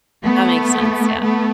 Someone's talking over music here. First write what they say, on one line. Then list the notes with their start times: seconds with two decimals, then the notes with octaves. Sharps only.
That makes sense, yeah.
0.23 A3 B3
1.22 A3 B3